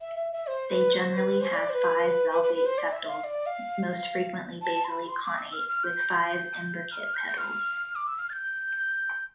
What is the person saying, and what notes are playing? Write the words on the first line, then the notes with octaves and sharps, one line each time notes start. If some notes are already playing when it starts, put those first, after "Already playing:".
They generally have five valvate sepals, most frequently basally connate, with five imbricate petals.
E5
E5
E5
C5
B4
C5
B4
C5
D5
C5
B4
B4
B4
B4
C5
D5
E5
F5
D5
F5
A5
C6
B5
C6
D6
E6
F6
F6
G6
F6
G6
G6
F6
D6
E6
F6
A6
G6